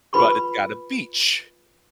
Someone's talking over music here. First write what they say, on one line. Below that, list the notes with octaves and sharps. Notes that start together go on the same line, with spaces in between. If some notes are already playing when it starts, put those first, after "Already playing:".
but it's got a beach,
F4 B4 B5 C#6